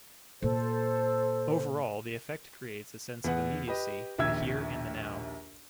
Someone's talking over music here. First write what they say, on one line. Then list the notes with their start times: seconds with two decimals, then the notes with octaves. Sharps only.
Overall, the effect creates a sense of immediacy, the here and the now.
0.42 A#2 A4 C5
3.24 E2 B3 F#5
3.68 G4 B4 D#5
4.18 A#1 D#2 E5 E6 G#6